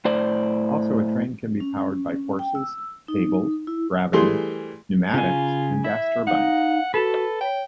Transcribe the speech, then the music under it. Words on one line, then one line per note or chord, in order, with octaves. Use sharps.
Also, a train can be powered by horses, cables, gravity, pneumatics and gas turbines.
A2 C5 D5
C#4
G5
E6
D#4
E4
E3 G3 A3 G#4 C6
C#3 F4 G#5
E4 E5
D#4 F5 F#5
F#4 A4 B4 A5
C#5 G5